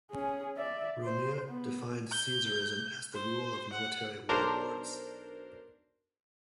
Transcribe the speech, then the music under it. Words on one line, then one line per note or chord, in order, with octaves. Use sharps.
Romieu defined Caesarism as the rule of military warlords.
C#4 G#4
D5 E5
C5
B3
G6
C5
F#5
B1 D4 A#4 C5